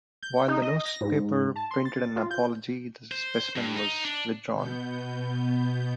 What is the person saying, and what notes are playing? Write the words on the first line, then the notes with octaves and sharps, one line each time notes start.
While the newspaper printed an apology, the specimen was withdrawn.
G6
D#4
D#5
A#6
G#2
A5
C6
A6
F4
G6
C5
G2
D#4
D4
B2 B3 G6